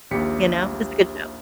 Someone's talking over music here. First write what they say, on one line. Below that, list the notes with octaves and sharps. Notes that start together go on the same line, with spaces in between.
You know, it's a good show.
A#1 D#2 G4 B6 C#7